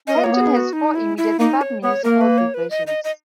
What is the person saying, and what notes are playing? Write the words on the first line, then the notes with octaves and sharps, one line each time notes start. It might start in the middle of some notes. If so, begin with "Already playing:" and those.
Panjin has four immediate sub-municipal divisions.
C#4 D#5
B3
A#3 C#5
B3
G#4
F#4
D#4
E4
E4
A#3 D#4
C#5
B3 C#5
A#3 A#4
B4
C#5
B4
D#5
D#5
D#5